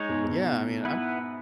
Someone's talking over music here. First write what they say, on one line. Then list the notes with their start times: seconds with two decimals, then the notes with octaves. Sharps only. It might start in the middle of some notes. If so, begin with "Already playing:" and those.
Yeah, I mean, I'm
Already playing: G#3 D#4 C#5
0.09 G#2 B2
0.24 G#2 B2
0.85 B3 E4 B4